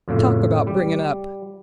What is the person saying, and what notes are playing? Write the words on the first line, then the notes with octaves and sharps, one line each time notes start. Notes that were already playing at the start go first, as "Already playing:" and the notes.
Talk about bringin' up.
F2 A2 C#3
G3